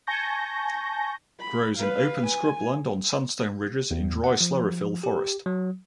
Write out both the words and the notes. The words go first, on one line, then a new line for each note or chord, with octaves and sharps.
Grows in open scrubland on sandstone ridges in dry sclerophyll forest.
G#5 A5 C#6 G6 A#6
B5
B4 F5
G#5
E2
F#5
F3
G4
F#3